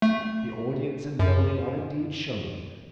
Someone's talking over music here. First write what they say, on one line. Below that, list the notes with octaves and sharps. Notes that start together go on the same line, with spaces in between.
The audience and building are indeed showy.
A3
F#2